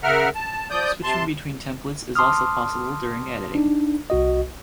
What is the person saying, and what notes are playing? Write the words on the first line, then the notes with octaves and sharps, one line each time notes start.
Switching between templates is also possible during editing.
C#3 A#4 E5 F#5 F6
A5
F3 D5 D#6 G6
C3 A5 C6
A5 C6 D6 D#6 F6
D4 D#4
C2 F#4 D#5